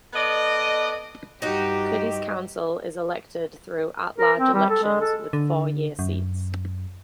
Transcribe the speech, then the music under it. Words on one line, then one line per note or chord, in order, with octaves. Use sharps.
Cudahy's council is elected through at-large elections with four-year seats.
B3 A4 D5 D#5
G2 D#4 F#4 G4
A#4
C4
G3
A4
G#3
A4
D3
F#2